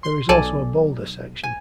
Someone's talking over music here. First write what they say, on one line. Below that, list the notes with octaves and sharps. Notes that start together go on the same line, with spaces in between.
There is also a boulder section.
C6
B1 A4 D5 G#5
G#5